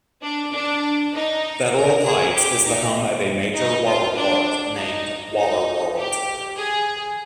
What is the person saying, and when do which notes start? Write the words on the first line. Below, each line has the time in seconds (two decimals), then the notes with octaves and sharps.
Federal Heights is the home of a major water park named Water World.
0.22 D4
0.52 D4
1.13 D#4
1.74 A#4
2.03 G#4
2.34 G4
2.65 D#4
3.54 D#4
3.86 F4
4.15 D4
4.75 D#4
5.36 D#4
5.97 G4
6.56 G#4